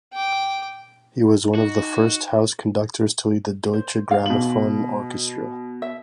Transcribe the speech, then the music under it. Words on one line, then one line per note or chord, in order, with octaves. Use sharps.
He was one of the first house conductors to lead the Deutsche Grammophon Orchestra.
G5 D6
D#4 F#4
C5
F5
B2 F#7
E5